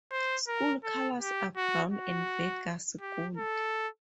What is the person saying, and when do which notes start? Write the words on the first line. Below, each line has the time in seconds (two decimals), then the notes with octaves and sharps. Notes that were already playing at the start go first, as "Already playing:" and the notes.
School colors are brown and Vegas gold.
0.12 C5
0.48 A#4
0.84 A4
1.20 G4
1.57 F#4
1.93 F#4
3.01 G4
3.37 A4